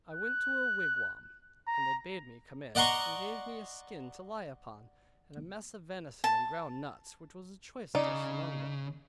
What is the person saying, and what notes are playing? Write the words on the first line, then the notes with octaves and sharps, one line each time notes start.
I went to a wigwam, and they bade me come in, and gave me a skin to lie upon, and a mess of venison and ground nuts, which was a choice dish among them.
F#6
A#5
D5 D#5 F#5 A#5 C6 C#6
A5
C#3 D#4 D5